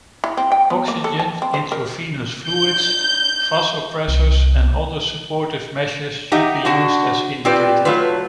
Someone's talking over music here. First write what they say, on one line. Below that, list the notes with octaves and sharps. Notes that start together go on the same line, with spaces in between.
Oxygen, intravenous fluids, vasopressors and other supportive measures should be used as indicated.
E4
C4
G5
B3
A#3
A4
A5
C4
C5
A#4
G6
C2
D#4 G4 D#5 E5 F#5
D3 D4 F#4 F#5
C4 F4 G4 B4 D5
F#3 A3 F4 B4